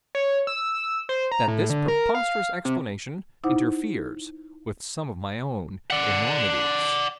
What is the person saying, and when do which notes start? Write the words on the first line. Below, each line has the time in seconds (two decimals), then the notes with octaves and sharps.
That this preposterous explanation interferes with some of my own enormities.
0.15 C#5
0.47 E6
1.09 C5
1.32 A#5
1.48 A2
1.70 D3
1.88 A#4
2.15 F5
2.65 C3
3.44 D#4 E4 C5 F#5 D6
5.90 D5 F#5